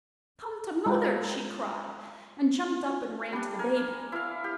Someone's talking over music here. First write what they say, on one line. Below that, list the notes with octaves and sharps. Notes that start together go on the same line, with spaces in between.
Come to mother,' she cried, and jumped up and ran to the baby.
G#3 F4 G4 G5
G3 D4
A#4 G#5
E4 F5
G4